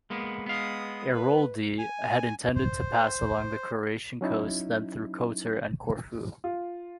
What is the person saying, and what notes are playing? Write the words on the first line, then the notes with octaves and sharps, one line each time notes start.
Airoldi had intended to pass along the Croatian coast then through Kotor and Corfu.
G#3 A#3 B3
G#3 B3 F5 D#6
B4
G#5
C5
F#3 C#4 D#4 E4
F4